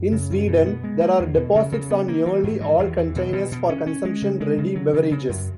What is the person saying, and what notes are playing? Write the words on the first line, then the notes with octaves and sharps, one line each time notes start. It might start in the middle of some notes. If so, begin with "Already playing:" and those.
In Sweden, there are deposits on nearly all containers for consumption-ready beverages.
Already playing: F#2
C#3
F#2
B2
B3
G#3
A#3
E2
B2
C#3
C#3
B3
A#3
E3
G#2
E3
E2
E3
B2
B2
B2
C#4
C#4
G#3
C#3
G#3
C#3
F#3
C#3
C#3
F#2